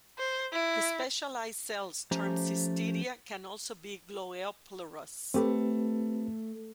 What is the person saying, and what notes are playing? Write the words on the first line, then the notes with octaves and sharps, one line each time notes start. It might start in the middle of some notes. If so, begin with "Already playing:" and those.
The specialized cells termed cystidia can also be gloeoplerous.
C5
E4
F3 A3 C#4 G4 C5 A#5
A3 C4 G4 B4